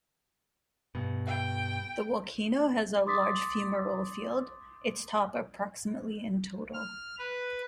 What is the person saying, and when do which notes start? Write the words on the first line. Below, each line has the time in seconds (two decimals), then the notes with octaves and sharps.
The volcano has a large fumarole field, its top approximately in total.
0.95 G2 B2
1.27 G5
3.06 B5 C6 D6 D#6 A6 B6
6.73 F6
7.19 B4